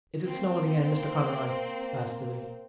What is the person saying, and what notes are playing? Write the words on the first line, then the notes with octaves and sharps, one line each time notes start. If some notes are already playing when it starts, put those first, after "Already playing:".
"Is it snowing again, Mr. Conroy?" asked Lily.
A#3 C4